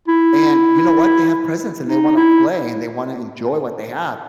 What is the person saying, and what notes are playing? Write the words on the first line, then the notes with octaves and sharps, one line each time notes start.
and you know what, they have presents, and they wanna play, and they wanna enjoy what they have.
E4
D#4
E4